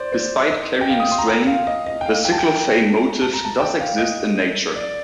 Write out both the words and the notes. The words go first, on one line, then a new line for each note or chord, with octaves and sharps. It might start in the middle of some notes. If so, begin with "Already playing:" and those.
Despite carrying strain, the cyclophane motif does exist in nature.
Already playing: C5 D5
C5
D#5
G5
F5
D#6
C6
A#5
G5
F5
D#5
D#5
G5
F5
G5
A5
G5
A5
A#5
A5
G5
F5
D#5
D5